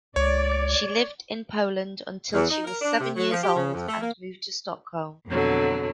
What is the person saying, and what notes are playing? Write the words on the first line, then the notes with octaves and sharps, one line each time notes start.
She lived in Poland until she was seven years old and moved to Stockholm.
C#2 C#5 D5
E2
D#4
A#4
D4
C3
F#3
F3
G4
C#3
F2
A3
A#3
F2 B2 D3 F#3